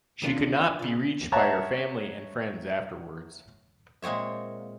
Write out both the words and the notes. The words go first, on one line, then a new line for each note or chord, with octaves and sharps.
She could not be reached by her family and friends afterwards.
D#2 D4 F4
C#3 F4
C#5 E5 F#5 A5 A#5 C#6
A#2 G#3 C4 C#5 E5